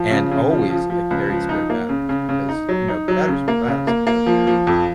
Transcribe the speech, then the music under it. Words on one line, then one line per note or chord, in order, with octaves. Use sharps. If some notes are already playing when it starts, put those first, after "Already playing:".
and, always, I carried spare batteries because, you know, the batteries would last, but, uh,
Already playing: F3
C#3
C#3
F3
F3
F3
C#2
F3
D#4
A#3
C#3
C#3
C#3
D#4
F#3
D#4
F#3
C#3
A#3
C#3
A#3
A#3
F3
F3
F2